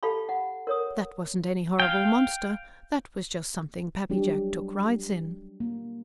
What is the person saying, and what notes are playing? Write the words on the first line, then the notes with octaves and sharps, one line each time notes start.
That wasn't any horrible monster, that was just something Pappy Jack took rides in.
G4 A4 F5 A5 B5 C#6
F#5
A#4 C#5 D#6
F5 G5
F#3 G3 D4 G4
A#3